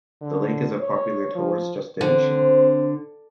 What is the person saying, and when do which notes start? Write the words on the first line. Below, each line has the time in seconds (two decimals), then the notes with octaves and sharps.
The lake is a popular tourist destination.
0.21 D3
0.81 C#5
1.35 F3
2.01 D3 C4 C5